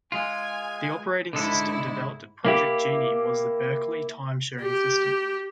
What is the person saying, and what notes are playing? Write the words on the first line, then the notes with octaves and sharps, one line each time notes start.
The operating system developed at Project Genie was the Berkeley Timesharing System.
G#3 F4 G#5
G#2 D3 G#3 E4 A4
A#3 E4 G4
G4